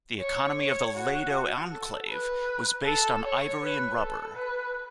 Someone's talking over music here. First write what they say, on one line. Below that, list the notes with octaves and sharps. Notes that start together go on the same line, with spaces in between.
The economy of the Lado Enclave was based on ivory and rubber.
C#5
C#5
F#4
A4
B4
A4
C#5
B4
A4
B4